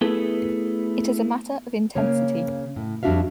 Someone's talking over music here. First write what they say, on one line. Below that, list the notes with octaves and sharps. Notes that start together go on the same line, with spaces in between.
It is a matter of intensity.
A3 B3 E4 G#4 A4 B4
C#3 A#3 C#5
A2
F2 G3 D4 F#4 E5 F5